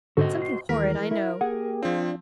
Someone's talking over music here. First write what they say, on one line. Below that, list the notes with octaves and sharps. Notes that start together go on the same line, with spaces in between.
Something horrid, I know.
G#2 D3 F#4 A4 C5 D#5
C6
D#2 E3 G#3 A#4 B6
E4
A#3 G4 G#4 F#5
F3 C4 D4 F4